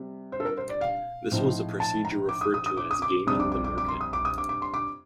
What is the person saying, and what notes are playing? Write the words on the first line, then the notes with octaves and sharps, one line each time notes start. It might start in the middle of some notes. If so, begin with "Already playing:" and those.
This was a procedure referred to as gaming the market.
Already playing: C3 G3
C5
A4
A#4
C5
D5
F5
A2 F3 C4 D#4
A5
A#5
D6
D#6
D#6
D#6
D6
D#6
D6
F2 C3 G3 D4 D#6
D6
D6
D6
D6
C6
D#6
D6
D#6
D6
D6
C6
D6